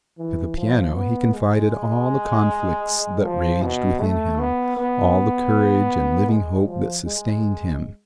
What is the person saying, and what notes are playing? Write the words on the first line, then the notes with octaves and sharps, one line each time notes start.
To the piano he confided all the conflicts that raged within him, all the courage and living hope that sustained him.
E3
F3
B3
G#3
F3
B2
A3
B3
B3
G#3
F3
G#3